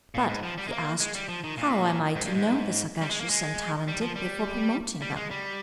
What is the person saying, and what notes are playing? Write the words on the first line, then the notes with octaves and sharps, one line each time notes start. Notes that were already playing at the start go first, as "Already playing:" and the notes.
"But," he asked, "how am I to know the sagacious and talented, before promoting them?"
A#2
G#2
F3
G3
G#3
A#3
G#3
G3
F3
D#3
A#2
G#2
G2
G#2
G3
G#3
A#3
G#3
G3
F3
G3
G3
G#3
G3